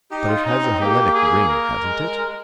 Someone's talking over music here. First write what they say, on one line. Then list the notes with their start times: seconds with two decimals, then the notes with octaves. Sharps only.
But it has a Hellenic ring, hasn't it?
0.11 D#4 G4
0.28 F4
0.45 C#4 D#4
0.63 C4
0.74 C4
0.80 A#3 G4
1.14 G#4
1.49 A#4
1.83 G#3
2.17 G#3
2.28 G#3